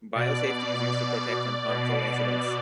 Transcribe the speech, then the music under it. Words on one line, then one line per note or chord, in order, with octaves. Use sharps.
Biosafety is used to protect from harmful incidents.
B2 D5
B2